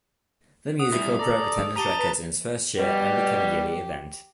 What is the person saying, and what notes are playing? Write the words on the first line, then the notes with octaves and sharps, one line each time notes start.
The musical broke attendance records in its first year and became a yearly event.
F#5 D#6
C3 G3 E4
A4 D5 A#5
G4 A5 A#5 D#6 D#7 G7
B4
B2 G3 G4